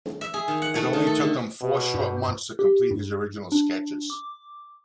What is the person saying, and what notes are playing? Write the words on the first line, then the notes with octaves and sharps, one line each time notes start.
It only took him four short months to complete his original sketches.
E5
G#4
D#3
F#5
A3
D#3
A4
D3
B2
G2
G4
G2
D4
D6